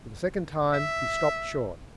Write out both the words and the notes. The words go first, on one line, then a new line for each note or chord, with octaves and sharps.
For the second time, he stopped short.
E5